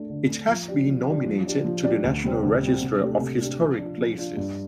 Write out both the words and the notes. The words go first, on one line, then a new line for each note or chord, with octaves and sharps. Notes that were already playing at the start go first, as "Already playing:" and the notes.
It has been nominated to the National Register of Historic Places.
Already playing: A3 D4
D3
A3 D4
F3
D4 G4 D5
F3
D4 G4 D5
F3
D4 G4 D5
F3
D4 G4 D5
D2
C3 G3 C4
D2
C3 G3 C4
C3
A3 D4 G4
C3
A3 D4 G4
F3
D4 F4
F3
D4 F4
G2